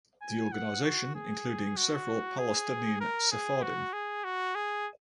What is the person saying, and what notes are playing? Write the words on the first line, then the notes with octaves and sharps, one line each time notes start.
The organization including several Palestinian Sephardim.
G#5
F#5
F#4
G#4
F#4
G#4
A#4
G#4
F#4
G#4
F#4
G#4